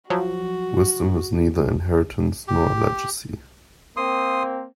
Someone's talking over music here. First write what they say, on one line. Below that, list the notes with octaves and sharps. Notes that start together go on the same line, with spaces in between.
Wisdom is neither inheritance nor a legacy.
F3 F#3 F#4
G4
A#3 C4 C6 D#6